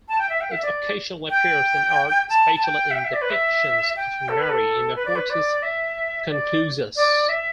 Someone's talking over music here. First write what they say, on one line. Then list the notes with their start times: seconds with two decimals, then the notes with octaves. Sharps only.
It occasionally appears in art, especially in depictions of Mary in the hortus conclusus.
0.09 A5
0.19 G5
0.29 E5
0.41 G5
0.51 E5
0.62 D5
1.30 G5
2.29 A5
2.55 A5
2.63 G5
2.91 E5
2.96 G5
3.04 E5
3.13 D5
3.22 B4
3.30 E5
3.96 G5
4.29 A4
4.39 B4
4.49 A4
4.95 B4
5.05 D5
5.16 B4
5.30 D5
5.62 E5
6.29 D5
6.96 D5
7.29 E5